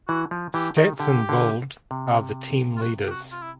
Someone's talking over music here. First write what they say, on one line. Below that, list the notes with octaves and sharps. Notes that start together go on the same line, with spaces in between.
Stats in bold are the team leaders.
E3 F#4
F3
E3 G4
D#3
D3 G4
D3
C3
F4
F#4
G4
F#4
F4
E4